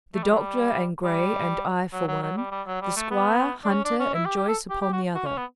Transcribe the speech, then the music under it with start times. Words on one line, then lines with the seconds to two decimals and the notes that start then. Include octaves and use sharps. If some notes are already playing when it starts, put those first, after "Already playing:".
The doctor and Gray and I for one; the squire, Hunter, and Joyce upon the other.
0.15 A3
0.23 G3
0.30 F#3
0.39 G3
1.04 G3
1.93 F#3
2.08 F#3
2.23 F#3
2.37 G3
2.51 G3
2.67 F#3
2.82 G3
2.96 A3
3.11 B3
3.64 D4
3.71 C#4
3.85 D4
4.00 C#4
4.15 E4
4.26 G4
4.37 G4
4.48 A4
4.70 G4
4.82 G4
4.93 F#4
5.15 F#4
5.26 C#4
5.37 B3